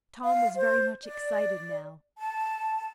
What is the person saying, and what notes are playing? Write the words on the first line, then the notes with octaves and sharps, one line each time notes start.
Tom was very much excited now.
F5
C5
D5
A5